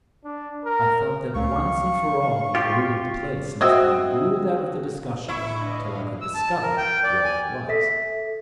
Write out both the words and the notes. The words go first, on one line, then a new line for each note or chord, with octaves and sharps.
I felt that once and for all the "old place" must be ruled out of the discussion till I could discover where it was.
D4
A#4
C#2 A3 C#4 F5 C#6
F4 G4 C6
C4 F#4 D#5 E5 D#6 E6 G#6
A2 D3 E4 B4 C#6
D4 D#5 F5
E6
A5
A#4
G5
D5
G#5
A4 E5 B6